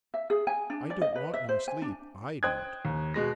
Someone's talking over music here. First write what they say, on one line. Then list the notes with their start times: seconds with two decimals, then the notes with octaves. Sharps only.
I don't want no sleep, I don't.
0.14 E5
0.30 G#4
0.47 G#5
0.70 D4
0.90 D5
1.01 D#5
1.15 B4
1.34 E5
1.49 C5
1.68 G#5
1.82 D4
2.43 C5 G5 D#6 F#6 G#6
2.85 D#2
3.14 B2 G#3 A#6